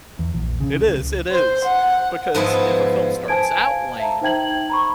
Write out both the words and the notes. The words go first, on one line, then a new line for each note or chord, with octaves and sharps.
It is, it is. Because if a film starts out lame
E2
A#1
C#3
C#2
C5
F#5
G#2 F3 B3 E4
C5 G#5 A5 G#6 D7
F5
E5 A5 A#5
D#4 C5 G5 G#6 F#7
A#5 B5 C#6